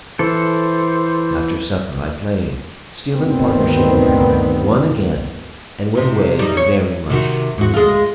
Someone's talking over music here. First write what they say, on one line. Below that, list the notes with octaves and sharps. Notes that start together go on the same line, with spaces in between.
After supper I played, still in partnership with her, won again, and went away very much in love.
E3 A4 C5
D2 G2 A#2 D#3 B3 C4
F2 C3
G3 D#4
C#5
C3 D#3 F#4
G#2 F#4
G#3 F4